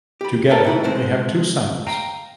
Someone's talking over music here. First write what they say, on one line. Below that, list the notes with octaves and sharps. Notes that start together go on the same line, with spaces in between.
Together, they have two sons.
G4 B5
A4 A#4 C5 D5 G5 A5
D#4 E4 B4
C#3 G#3 A3 C4 C5
F5 G5 A#5